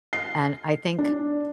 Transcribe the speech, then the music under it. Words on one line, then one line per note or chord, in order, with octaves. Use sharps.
and I think
C7
D4